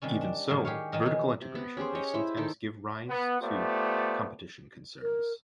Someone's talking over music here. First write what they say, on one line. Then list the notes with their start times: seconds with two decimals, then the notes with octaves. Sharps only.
Even so, vertical integration may sometimes give rise to competition concerns.
0.02 C3 D#3 G3 C#4
0.21 D4
0.48 A2 D3 D#3 F#3 C5 F5
0.65 G4 G#4 C#5 F5
0.92 D#3 E3 F#3 D#4 A#4
1.06 B3 G#4
1.41 C3
1.55 B3
1.77 C#4 G4 G#4 C5
1.95 C#5 D#5
2.14 E4 C5
2.37 D#3 D#4 A4
3.09 B3
3.41 A3 B3 F4 G4 C5 D5
5.02 A#4